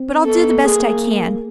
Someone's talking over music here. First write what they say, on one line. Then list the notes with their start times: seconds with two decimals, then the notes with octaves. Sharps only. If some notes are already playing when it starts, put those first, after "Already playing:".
But I'll do the best I can.
Already playing: C4
0.25 B3 A4
0.63 A#3 G#4